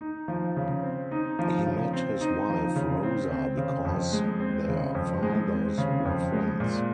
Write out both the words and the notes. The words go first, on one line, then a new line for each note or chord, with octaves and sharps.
He met his wife Rosa because their fathers were friends.
D#4
F3
C#3
C4
D#4
F3
C#3
C4
D#4
F3
C#3
C4
C4
C#3
F2
G#3
C4
C#3
F2
G#3
C4
C#3
F2
G#3
A#2